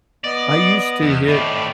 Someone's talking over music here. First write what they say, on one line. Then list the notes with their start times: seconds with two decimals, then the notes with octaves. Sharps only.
I used to hit
0.24 B3 D5 D#5
1.02 E2
1.28 A2 D#3 A3 D5 B5